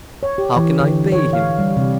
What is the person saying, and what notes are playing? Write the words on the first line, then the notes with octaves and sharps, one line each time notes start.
How can I pay him?
C#5
G4
E3
D3
C#5
F5
G3
C3